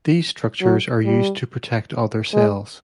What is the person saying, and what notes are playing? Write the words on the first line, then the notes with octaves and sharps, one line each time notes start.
These structures are used to protect other cells.
F#3
G3
G#3